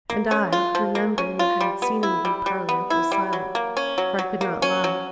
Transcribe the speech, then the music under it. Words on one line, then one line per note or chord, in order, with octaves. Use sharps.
And I, remembering what I had seen in the blue parlour, was silent--for I could not lie.
A#3
C#4
F4
F3
A#3
C#4
F4
G3
B3
E4
G3
G3
B3
E4
G3
F#3
A#3
C#4
F#3
F#3
A#3
C#4
F#3